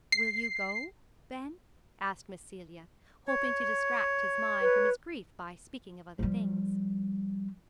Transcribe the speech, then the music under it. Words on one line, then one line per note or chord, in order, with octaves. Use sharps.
"Will you go, Ben?" asked Miss Celia, hoping to distract his mind from his grief by speaking of other things.
C7
C#5
B4
F3 G3